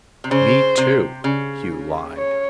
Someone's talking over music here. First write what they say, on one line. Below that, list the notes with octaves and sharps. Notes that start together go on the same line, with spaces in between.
"Me, too," Hugh lied.
C3
C#3 C5
C3
C#3
C#5